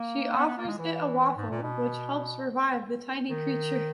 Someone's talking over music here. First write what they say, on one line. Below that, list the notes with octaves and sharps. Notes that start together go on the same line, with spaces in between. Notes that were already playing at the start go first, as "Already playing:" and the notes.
She offers it a waffle, which helps revive the tiny creature.
Already playing: A#3
B3
B3
A#3
G#3
E3
G#2
A#2
B2
D#3